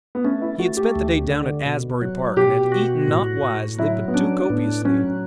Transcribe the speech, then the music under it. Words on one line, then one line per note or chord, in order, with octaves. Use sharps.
He had spent the day down at Asbury Park and had eaten not wisely but too copiously.
B3
A3 C#4
E4
A3 F#4
G4
D2
D3
B2
F#3
B2 G4
F#4
A2
A2
F#3 E4
B3
C#4 D4
A2 B3
F#3 C#4